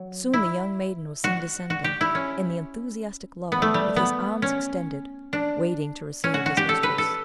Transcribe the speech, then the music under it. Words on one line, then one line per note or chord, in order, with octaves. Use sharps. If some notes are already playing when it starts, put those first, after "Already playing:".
Soon the young maiden was seen descending, and the enthusiastic lover, with his arms extended, waiting to receive his mistress.
Already playing: F#3
E4
F#4
F#4
G4
E4
C#4
B3
A3
G3
B3
C#4
D4
C#4
F#4
F#4
G4
A4
B4
A4